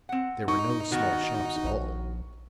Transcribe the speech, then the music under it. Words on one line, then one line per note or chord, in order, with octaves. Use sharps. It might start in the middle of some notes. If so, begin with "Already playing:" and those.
There were no small shops at all.
C4 F#5
D#4 C#6
D#3 B3 F#4
A#1